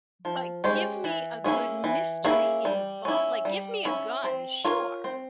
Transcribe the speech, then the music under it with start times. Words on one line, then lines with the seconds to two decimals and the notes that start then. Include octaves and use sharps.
But give me a good mystery invol like, give me a gun, sure.
0.25 F3
0.64 G#3 C#4 G4 C5
1.04 E3
1.44 A#3 C#4 E4 G#4
1.84 E3
2.25 A#3 C#4 E4 G#4
2.65 G3
3.05 C#4 E4
3.45 G3
3.85 C#4 E4
4.24 C4
4.65 F4 A#4 C#5
5.04 C4